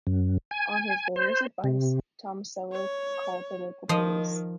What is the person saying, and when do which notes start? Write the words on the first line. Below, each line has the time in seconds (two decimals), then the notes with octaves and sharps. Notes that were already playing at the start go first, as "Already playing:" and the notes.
On his lawyer's advice, Tomasello called the local police.
0.07 F#2
0.51 G#5
1.16 C5
1.64 C3
2.72 C#5
3.89 D#3 F3 D#5